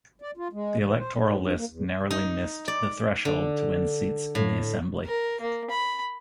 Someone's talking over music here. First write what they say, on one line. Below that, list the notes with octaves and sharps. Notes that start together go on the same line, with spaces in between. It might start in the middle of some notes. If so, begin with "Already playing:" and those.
The electoral list narrowly missed the threshold to win seats in the assembly.
D5
F4
G#3
E3
C5
G#2
G2
A#3
E2
D#4
D5
D3
A2
A#4
A#3
B5